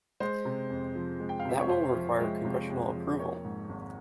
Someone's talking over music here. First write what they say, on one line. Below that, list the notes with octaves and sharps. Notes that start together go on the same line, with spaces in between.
That will require congressional approval.
G#3 C5
C3
F2
F3
G#3
G5
F5
C3 E5
C#5
F2 C5
F3
G#3
C3
F2
F3
A#3 C#5
G#2
G#1